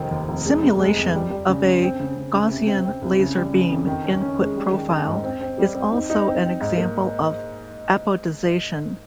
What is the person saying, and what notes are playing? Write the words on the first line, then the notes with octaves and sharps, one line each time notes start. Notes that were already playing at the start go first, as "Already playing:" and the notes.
Simulation of a Gaussian laser beam input profile is also an example of apodization.
Already playing: F1 D#3 C4
D#2
F1
G#3
G1
G#3
F2
G3
G3
C#3
C#3
C4
C#3
C#3
C#3
C3
C4
C4
C2
C#3
G3
C#3
F2
D#3
C#4
C#4
G#3
G3
D#3
D#3
G#2
C4
C4
G3
C4
D#4
D#4
C4
C4
G#2
A#3